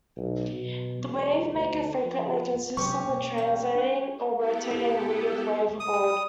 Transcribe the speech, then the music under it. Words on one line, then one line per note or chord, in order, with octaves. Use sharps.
The wavemaker frequently consists of a translating or rotating rigid wave board.
B1
B2
E1
D2
F3
C3 F#3 G#3 C#4 G4 C#6
B2 A#3
G3
D4
B3 E4 G4 A4
D#6